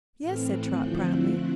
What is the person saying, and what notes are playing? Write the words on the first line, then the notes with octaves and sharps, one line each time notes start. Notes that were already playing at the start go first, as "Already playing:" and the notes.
"Yes," said Trot, proudly.
A2 E3 A3 C4 F6
F#6
D3 F3 A3 C4 E4 G6
F#6